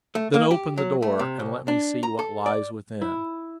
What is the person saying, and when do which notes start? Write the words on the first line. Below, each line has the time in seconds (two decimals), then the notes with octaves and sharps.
"Then open the door, and let me see what lies within."
0.15 A3
0.34 A#3
0.51 G4
0.78 F#3
1.02 A3
1.19 C3
1.40 C2
1.68 D4
2.03 A#5
2.19 A4
2.46 D5
3.01 E4